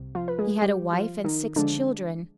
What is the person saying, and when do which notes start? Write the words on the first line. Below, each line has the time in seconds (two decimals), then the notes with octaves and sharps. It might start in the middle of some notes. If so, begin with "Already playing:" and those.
He had a wife and six children.
Already playing: C2 C3
0.15 F3 F4
0.28 B4
0.39 G#3 G#4
0.62 G3 G4
0.93 F3 F4
1.24 D#3 D#4
1.56 D3 F3 G#3 D4